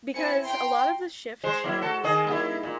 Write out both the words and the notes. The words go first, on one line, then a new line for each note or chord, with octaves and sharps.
because a lot of the shift to, um,
C4 E4 G#5 C#7
G5 A#5 C6
G#3 C5
F#3 E4
F#4 A4
D#3 G#4 D#5
A#3 E4
A#2